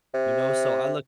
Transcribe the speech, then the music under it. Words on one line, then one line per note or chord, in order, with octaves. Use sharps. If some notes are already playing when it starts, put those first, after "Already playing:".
you know, so I look
C3